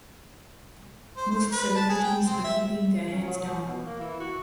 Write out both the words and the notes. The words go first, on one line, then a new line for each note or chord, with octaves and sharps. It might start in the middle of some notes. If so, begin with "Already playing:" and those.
Most celebrities are keeping their heads down.
C5
C5
B4
A5
G#4
G5
C4
E5
C#4
F#3
B2
A#3
E3
F#4